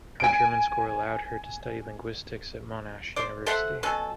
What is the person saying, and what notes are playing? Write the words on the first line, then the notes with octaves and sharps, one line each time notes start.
Her German score allowed her to study linguistics at Monash University.
G#5 D7
C5 D5
A4 C5 E5 F#5
B2 F#3 C#4 A4